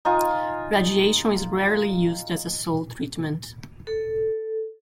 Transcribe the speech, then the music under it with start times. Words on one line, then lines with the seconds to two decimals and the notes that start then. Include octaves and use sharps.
Radiation is rarely used as a sole treatment.
0.05 D#4 F4 G#5 D#6
3.87 A4